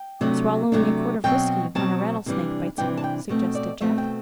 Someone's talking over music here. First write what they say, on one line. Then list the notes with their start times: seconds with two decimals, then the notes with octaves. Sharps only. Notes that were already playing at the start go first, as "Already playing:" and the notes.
"Swallowing a quart of whiskey when a rattlesnake bites you," suggested Jack.
Already playing: G5
0.21 C3 F#3 A3 D4
0.72 C3 F#3 A3 D4
1.24 B2 F#3 C4 G5
1.75 B2 F#3 C4 A5
2.26 C3 E3 G3 D4
2.78 C3 E3 G3 D4 G5
2.97 A5
3.04 G5
3.29 B2 A3 C4
3.55 D5
3.80 B2 A3 C4 E5
3.98 G5